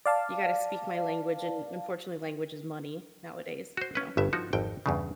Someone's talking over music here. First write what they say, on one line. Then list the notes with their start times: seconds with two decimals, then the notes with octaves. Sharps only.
You gotta speak my language, and unfortunately, language is money nowadays, you know?
0.06 D5 F5 A5
3.77 F#4 C5
3.95 C#4 B4
4.17 G1 G2 E5
4.33 F3 D#4 F#4
4.53 G#1 F2 G5
4.86 E2 G2 C#3